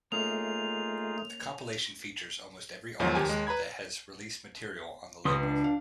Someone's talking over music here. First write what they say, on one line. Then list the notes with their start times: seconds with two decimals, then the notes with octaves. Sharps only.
The compilation features almost every artist that has released material on the label.
0.12 A3 A#3 C#4 D#4 F4 G#4 F7
3.00 E2 G#2 D#3 F3 F#3
3.15 D#2 D#3 G4 G#5
3.29 D#2 G#3
3.47 B4 A#5 B5 G#6
5.25 C#2 C#4 B4 C6 D#6
5.43 D4
5.64 F5